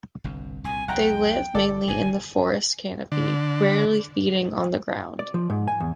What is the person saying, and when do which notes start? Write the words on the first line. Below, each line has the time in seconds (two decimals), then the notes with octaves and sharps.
They live mainly in the forest canopy, rarely feeding on the ground.
0.24 G1 C2 G2
0.64 C2 A#2 G#5
0.88 B1 E2 C3 F#5 G5 A#5
1.55 G1 A4 D5
1.88 G1 A#2 D3 G#5
3.12 D3
5.19 D5
5.34 F3
5.50 G#2
5.68 G#5
5.80 E2